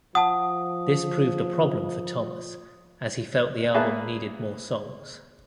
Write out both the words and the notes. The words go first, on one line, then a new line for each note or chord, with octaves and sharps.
This proved a problem for Thomas as he felt the album needed more songs.
F3 F#5 A5 D#6
A#3 B3 G#4 B4 E5 A5